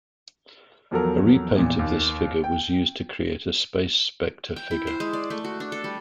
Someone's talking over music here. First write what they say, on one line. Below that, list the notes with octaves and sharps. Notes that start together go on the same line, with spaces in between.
A repaint of this figure was used to create a Space Specter figure.
E2 F3 F#3 A4 A#4
E2 A#2
D#2
G5
G5
E4
C5
G#3
D5
A3
F#4
D4
A4
G3